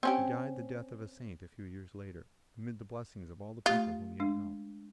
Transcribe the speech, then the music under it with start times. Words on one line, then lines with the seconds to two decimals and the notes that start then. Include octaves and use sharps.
He died the death of a saint a few years later, amid the blessings of all the people whom he had helped.
0.03 C4 C#4 G4
3.66 A3 F4 G4
4.20 G#3 D4